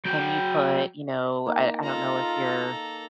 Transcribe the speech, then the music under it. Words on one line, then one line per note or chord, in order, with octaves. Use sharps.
"Can you put, you know" I I don't know if you're,
F#3 G5
A#3 D#4
F4 A4 A#5